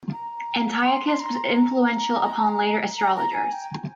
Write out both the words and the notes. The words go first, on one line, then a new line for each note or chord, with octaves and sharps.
Antiochus was influential upon later astrologers.
A#5
C6
C6
A#5
A#5
A#5
A#5
G#5
G5